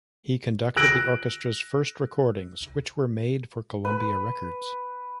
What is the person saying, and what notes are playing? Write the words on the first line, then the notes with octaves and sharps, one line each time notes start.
He conducted the orchestra's first recordings, which were made for Columbia Records.
E6 F#6 A#6 D7 F#7
B4